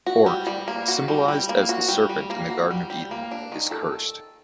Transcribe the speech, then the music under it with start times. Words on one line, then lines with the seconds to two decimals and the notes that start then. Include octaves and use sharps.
Orc, symbolized as the serpent in the Garden of Eden, is cursed.
0.06 F#4
0.26 G3
0.47 G3
0.68 A#3
0.88 F#4
1.08 G3
1.28 G3
1.49 A#3
1.69 F#4
1.88 G3
2.09 G3
2.30 A#3
2.50 F#4
2.71 G3
2.90 G3
3.11 A#3
3.31 D4
3.52 D#3
3.71 A4